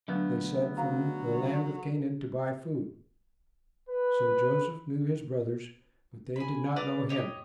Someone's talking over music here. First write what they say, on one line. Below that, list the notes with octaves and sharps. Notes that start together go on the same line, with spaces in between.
They said, "From the land of Canaan to buy food." So Joseph knew his brothers, but they did not know him.
D3 F#3 A3 B3 D4
F#3 F5 A#5
B4
G#5 B5
B4 D5 A#5 D6
G4 C#5 D#5